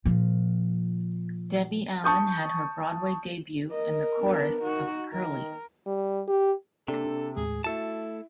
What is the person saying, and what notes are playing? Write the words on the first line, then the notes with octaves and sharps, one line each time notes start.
Debbie Allen had her Broadway debut in the chorus of "Purlie".
A#2 F3
A5 C#6 D#6 G6
A#4 D#5
B3 D4
D#4 F#4
D#3 A#4
G3
G4
C3 A#3 D4 A4
D#2 A2 G#3 G#4
A3 E4 F#4 A4 A5